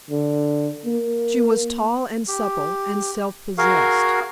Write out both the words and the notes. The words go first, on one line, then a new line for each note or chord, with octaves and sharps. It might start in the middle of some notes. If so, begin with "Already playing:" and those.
She was tall and supple and self-possessed.
D3
A#3
G4
F#4 G#4 A#4 F5